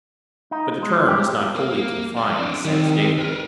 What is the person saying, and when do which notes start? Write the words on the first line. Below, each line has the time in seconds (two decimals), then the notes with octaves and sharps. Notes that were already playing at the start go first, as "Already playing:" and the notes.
But the term is not wholly confined to sense-data.
0.51 D#4
0.83 G#3
1.08 G4
1.56 A#3 A#4
2.17 D2 D5
2.39 C4 D4
2.65 D#3 G3 C4
3.18 A#4 B4